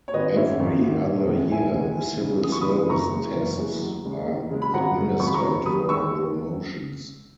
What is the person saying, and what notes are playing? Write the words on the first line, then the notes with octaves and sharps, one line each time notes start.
Every other year, civil service tests are administered for promotions.
C#5
G#1 B4 D#5
G#2 D#3 C#5 E5
G#1
G#2 D#3
E1
E2 D#3 G#3
E1 E5 G#5
E2 D#3 G#3
E2
C#3 E3 G#3
E2 D#6
C#6
B5 D#6
C#3 E3 G#3
F#1 A#5 C#6
F#2 E3 G#3
F#1
F#2 E3 G#3
E2
C#3 G#3
E2
C#3 G#3
B5
G#1 F#5 A#5
F#2 C#3
G#1 C#6
B5
A#5 C#6
F#2 C#3
D#2 B5 D#6
D#3 G#3 C#6 E6
D#2